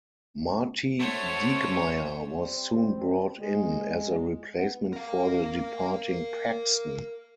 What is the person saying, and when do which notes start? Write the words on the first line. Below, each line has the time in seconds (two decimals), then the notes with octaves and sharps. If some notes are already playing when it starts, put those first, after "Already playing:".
Marty Dieckmeyer was soon brought in as a replacement for the departing Paxton.
1.00 A3 F#4 C5 C#5
2.33 G3 C4
3.39 G#3
4.54 B3
4.93 A#4 F5